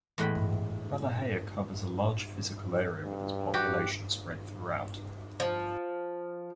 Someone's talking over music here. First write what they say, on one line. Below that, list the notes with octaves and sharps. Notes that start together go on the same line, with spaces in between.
Ballyhea covers a large physical area with its population spread throughout.
E2 A2 G#3 F#5 G5 B5
G2
F#4 G4
F3